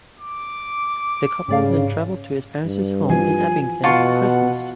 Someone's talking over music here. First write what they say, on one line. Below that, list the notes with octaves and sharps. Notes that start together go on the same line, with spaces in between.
The couple then travelled to his parents' home in Abington for Christmas.
D6
G#2 C#3 G4 D5 F5
G2
E3 F3 G#5
B2 F4 F#5 A5 C#6